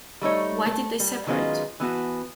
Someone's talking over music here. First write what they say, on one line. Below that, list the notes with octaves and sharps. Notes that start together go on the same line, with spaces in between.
Why did they separate?
G3 A3 D#4 C#5
A3
G3
D#3 F#3 G#3 B3 C#4 F4
E3 B3 F#4 A5